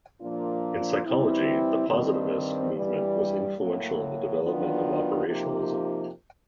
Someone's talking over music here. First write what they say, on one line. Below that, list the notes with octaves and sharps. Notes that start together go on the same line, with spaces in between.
In psychology the positivist movement was influential in the development of operationalism.
A#2 F3 A#3 D4 F4
E3 G3 C4 E4
G2 D#3 G3 C4
G2 E3 G3
A2 F#3 A#3
D#3 F#3 B3 D4 F4
C3 F3 A#3 D#4 G4